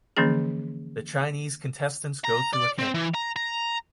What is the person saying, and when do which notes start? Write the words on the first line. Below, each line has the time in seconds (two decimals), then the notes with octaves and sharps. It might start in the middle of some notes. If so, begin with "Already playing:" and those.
The Chinese contestants go through a camp.
0.17 D3 E3 F3 A#3 C#4 G#4
2.24 A#5
2.53 D5
2.79 C4
2.94 E3
3.14 A#5
3.36 A#5